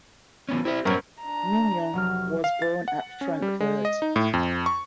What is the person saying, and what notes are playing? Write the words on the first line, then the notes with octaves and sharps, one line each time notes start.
Mignon was born at Frankfurt.
E3 B3 C#4
C4 E4 G4 E5
F#2 B2 C4 A#4 C5 C#5
D4 A#5
F1 F#3 F6
F5
A6
F#5
C#4
G3
G#3
D#5
D#4
A2
F2
C#6